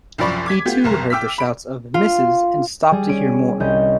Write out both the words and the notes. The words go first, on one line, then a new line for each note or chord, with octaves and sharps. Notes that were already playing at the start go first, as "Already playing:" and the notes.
He too heard the shouts of ‘Missus,’ and stopped to hear more.
C2 F#2 F3 D5 B5 C#6
D6 G#6 B6
A3 B3 F4 G4
F#1 C2 A#4
G5 D6 E6 F6 B6
B5 D7
F4
G3 G#4
C#4 D7 D#7
C2 C#4 D#5 G6